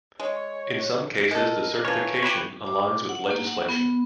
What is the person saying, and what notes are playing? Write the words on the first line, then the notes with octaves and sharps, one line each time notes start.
In some cases the certification aligns with legislation.
G#3 C#5
G#3 A4 A#4
E3 F3 C#5 A#5
G4 B4 C#5
D6
F#5
A#3
F#5
B3